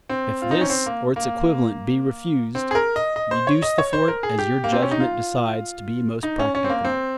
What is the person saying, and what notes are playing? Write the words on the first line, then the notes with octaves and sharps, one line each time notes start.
If this or its equivalent be refused, reduce the fort as your judgment decides to be most practicable.
C4
F4
D#4
C#4
C4
A#3
A#3
C4
G#4
A#4
D#5
D#5
C5
C#5
D#5
C#5
C5
A#4
G#4
G4
A#3
C4
C#4
D#4
F4
D#4
C#4
C#4
C4
A#3
C4